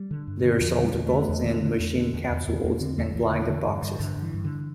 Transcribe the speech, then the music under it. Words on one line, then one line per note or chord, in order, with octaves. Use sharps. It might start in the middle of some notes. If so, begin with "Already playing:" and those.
They are sold both in machine capsules and blind boxes.
Already playing: G3
D3
G2
D3
E2 F3
D3
G3
E2
A3
D3
E2
D3
D3
E2
D3
E2
E2
E2
E2 A#3
D3 C4
E2 A3
E2 E3
D3
D3
G2
G2
G2 D3
G2
E3
G2
D3